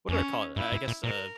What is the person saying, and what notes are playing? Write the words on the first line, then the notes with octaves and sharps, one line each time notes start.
what do they call it- I I guess a
F2 C#4
G2 E4
G#2
A#2
A#2 A#4